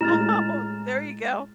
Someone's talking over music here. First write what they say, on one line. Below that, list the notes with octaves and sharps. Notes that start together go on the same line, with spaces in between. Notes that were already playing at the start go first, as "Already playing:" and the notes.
Oh, there you go.
A2 G#3 E4 F6 A6 E7